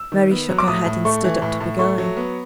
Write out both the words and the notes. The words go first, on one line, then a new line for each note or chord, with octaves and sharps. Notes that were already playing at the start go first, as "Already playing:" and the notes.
Mary shook her head, and stood up to be going.
Already playing: E6
D#3
B3
F#3
D6
A2 D#6
A2
A3 C#6
E3
A2
A2
A3 C#6
F#3
B3